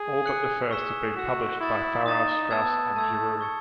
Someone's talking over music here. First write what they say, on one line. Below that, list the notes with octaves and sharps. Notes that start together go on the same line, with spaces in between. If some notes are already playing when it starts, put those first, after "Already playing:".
All but the first have been published by Farrar, Straus and Giroux.
Already playing: G#4
F#6 C#7 F#7
G#4 C#6 E6 B6 E7
F#4 C#6 E6 B6 E7
E4 D#6 A6 E7
D#4 D#6 A6 E7
B3 A5 E6 G#6
A3 A5 E6 G#6
C#6 E6 G#6 C#7